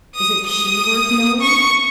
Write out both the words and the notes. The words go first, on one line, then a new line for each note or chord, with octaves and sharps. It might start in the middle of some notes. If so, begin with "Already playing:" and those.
Isn't she worth knowing?
D#6
D#6
C#6